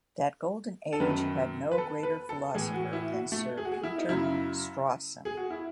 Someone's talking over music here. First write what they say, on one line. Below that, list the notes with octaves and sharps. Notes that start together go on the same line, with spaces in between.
That golden age had no greater philosopher than Sir Peter Strawson.
A4
F#2 D#3 F#3 B4
B4
A4
B4
A4
A2 E3 G#4
F#4
E4
F#4
A3
G#4
F#4
G#4
E4
D#4
F#2 C#3 F#3 E4
G#4
F#4
E4